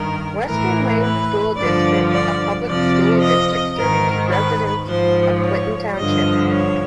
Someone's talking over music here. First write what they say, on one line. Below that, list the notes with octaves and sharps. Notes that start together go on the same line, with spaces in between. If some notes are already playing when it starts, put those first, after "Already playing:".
Western Wayne School District a public school district serving residents of Clinton Township.
Already playing: G2 D#3 A#4
A2 E3 A#4
B4
G2 D3 F3 D5
D5
F2 C3 F3 D5
D#5
G#2 D#3 A#4
B4
G#2 F3 C5
C#5
G2 D3 F3 D#5
C#5